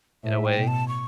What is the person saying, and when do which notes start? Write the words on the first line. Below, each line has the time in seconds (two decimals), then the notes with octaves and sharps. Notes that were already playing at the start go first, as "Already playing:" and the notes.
in a way.
0.24 A2 E5
0.45 G5
0.57 B2
0.67 A5
0.88 C#6